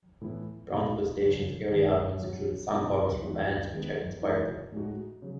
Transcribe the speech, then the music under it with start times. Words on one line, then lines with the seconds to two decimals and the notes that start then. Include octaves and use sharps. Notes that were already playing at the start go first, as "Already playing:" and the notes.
Brownsville Station's early albums included song covers from bands which had inspired them.
0.21 A2 E3 B3 E4
0.71 B2 G#3 D#4 F#4
1.21 C#3 F#3 C#4
1.71 D#3 G#3 D#4
2.22 F#3 C#4 F#4
2.72 B2 F#3 C#4 E4
3.22 E3 G#3 B3 D#4 F#4
3.72 D#3 G#3 B3
4.22 E3 G#3 D#4 F#4
4.72 A2 G#3 D#4 F#4
5.22 C#3 F#3